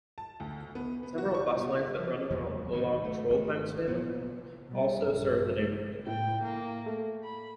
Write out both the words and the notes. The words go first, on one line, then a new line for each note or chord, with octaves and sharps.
Several bus lines that run along Trondheimsveien also serve the neighbourhood.
A5
D2
B3
B3
F#4
C#6
B2
E5
F3
E2 A#2 F#3 G#3
G#1 A2 D3 D#3
A3
G#1 A3
A#2 B3
B2 G3
A#1 G2
A2 G5
A#3
A3
B5